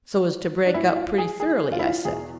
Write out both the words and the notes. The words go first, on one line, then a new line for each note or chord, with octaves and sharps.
"So as to break up pretty thoroughly?" I said.
D4
A2 E3 E4
F4
G#4
G#4
F4
E4
F4
E2 B2 G#4